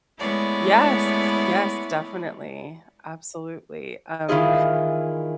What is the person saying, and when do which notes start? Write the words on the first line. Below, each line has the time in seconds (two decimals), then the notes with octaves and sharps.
Yes. Yes, definitely. Absolutely. Um,
0.19 G#3 A3 B3 E4 C#5 D5
4.29 D#3 E3 E4 F4 G#4 D#5